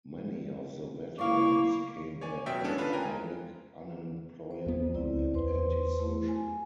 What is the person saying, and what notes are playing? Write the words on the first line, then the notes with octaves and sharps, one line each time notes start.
Many of the veterans came back alcoholic, unemployable and antisocial.
A#3 E4 D5 F5 C#6 D6
C#5 D5 G#5
F#2 B2 E5 G5
G#3 B3 C#4 D4 A4
D4 F4 B4
A#4 G5 G#5 A#5
G#3
C5
E2 B3
C#2 C4 E4 D5
E2 B4 C5 C6
A3 E4
G#5